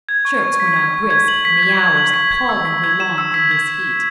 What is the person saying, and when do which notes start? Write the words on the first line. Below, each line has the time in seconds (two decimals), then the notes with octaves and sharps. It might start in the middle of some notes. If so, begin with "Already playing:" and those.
Shirts were now brisk, and the hours appallingly long in this heat.
0.09 G#6
0.25 C#6
0.43 C#6
0.60 B6
0.76 G#6
0.94 C#6
1.11 G#6
1.28 F#7
1.45 B6
1.63 G#6
1.79 G#6
1.97 F#7
2.14 B6
2.32 G#6
2.49 E6
2.65 B6
2.84 G#6
3.00 E7
3.18 E6
3.34 B6
3.51 G#6